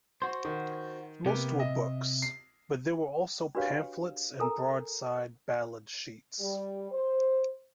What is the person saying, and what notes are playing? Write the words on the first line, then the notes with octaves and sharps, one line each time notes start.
Most were books, but there were also pamphlets and broadside ballad sheets.
F#4 C5
D#3
C3 A#3 B3 G4
D#5 E5
C7
D4 F#4 G4 B4 C#5 F5
A4 A#4 G#5 A#5
G3
C5